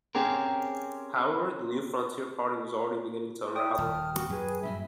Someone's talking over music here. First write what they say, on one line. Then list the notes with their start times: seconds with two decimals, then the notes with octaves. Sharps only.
However, the New Frontier Party was already beginning to unravel.
0.15 C4 C#4 G4 G#4 A#4
3.56 E4 D5 G5 D#6
3.78 D#1 A5 F6
4.13 F#4 G4
4.30 F#2 G#4 B4
4.63 G2 A#2 F#3 E5 B5